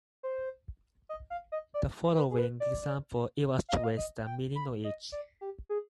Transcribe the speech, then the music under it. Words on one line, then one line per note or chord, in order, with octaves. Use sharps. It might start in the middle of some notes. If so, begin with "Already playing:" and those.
The following example illustrates the meaning of each.
C5
D#5
F5
D#5
D5
B4
G#4
B4
D5
F5
D#5
F5
D#5
G5
B5
D#5
D5
G4
G#4